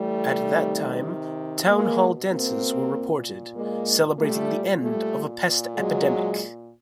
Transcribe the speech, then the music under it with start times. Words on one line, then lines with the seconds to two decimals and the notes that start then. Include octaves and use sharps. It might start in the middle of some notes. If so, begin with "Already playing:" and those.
At that time "town-hall dances" were reported, celebrating the end of a pest epidemic.
Already playing: A2 E3 G3 A3
0.41 C3 D#3
1.66 B2 G#3 A#3
2.29 A#3 C4
2.93 A#2
3.56 G#3 A#3
4.19 A#2 G3 A3
4.82 G3 A3
5.45 A#2
5.76 F#3 G#3